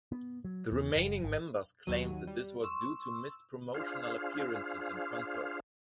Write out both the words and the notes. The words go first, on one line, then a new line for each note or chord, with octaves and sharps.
The remaining members claimed that this was due to missed promotional appearances and concerts.
B3
F#3
E2
F#1
G#1
D#2 F#3 D#7
G3
C6 C#6 E6
D4 F4 G#4 C5 F5